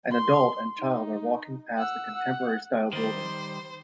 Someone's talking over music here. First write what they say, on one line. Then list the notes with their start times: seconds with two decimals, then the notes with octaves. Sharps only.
An adult and child are walking past a contemporarystyle building.
0.11 C6
0.80 D#4
1.77 F#5 E6
2.16 F#5
2.93 D#3 G3 C5